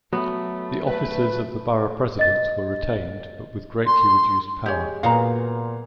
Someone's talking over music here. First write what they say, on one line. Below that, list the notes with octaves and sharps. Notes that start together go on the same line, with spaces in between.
The offices of the borough presidents were retained, but with greatly reduced power.
F#3 A3 B3
A3 B4
D#5 A6
C6
G#3 G4 C#5
A#2 F#3 B3 G#4 F5 A#5